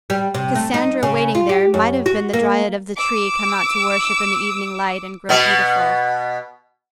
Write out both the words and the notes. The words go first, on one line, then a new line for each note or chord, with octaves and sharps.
Cassandra waiting there might have been the dryad of the tree come out to worship in the evening light and grow beautiful.
G3
C3
A3
D#4
C#3
F4
G4
F#2
F#4
A#3
D6 E6
B2 B3